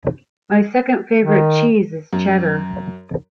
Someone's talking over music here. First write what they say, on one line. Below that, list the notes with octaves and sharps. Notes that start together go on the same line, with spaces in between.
My second favourite cheese is cheddar.
D#3
F#2